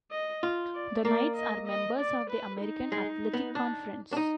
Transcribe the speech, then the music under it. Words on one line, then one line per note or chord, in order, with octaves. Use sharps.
The Knights are members of the American Athletic Conference.
D#5
F4
D5
A#3 D5
D#5
D#5
D5
B4
D#4
G#3
B3
D4
D4
D#4